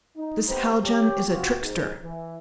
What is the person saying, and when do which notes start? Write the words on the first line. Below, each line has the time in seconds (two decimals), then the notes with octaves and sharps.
This Haljan is a trickster!
0.17 D#4
0.49 B3 C4 D#4 G4 C5
0.84 G4 C#5
1.27 C3 F4 F#4
1.62 G#2
2.03 E3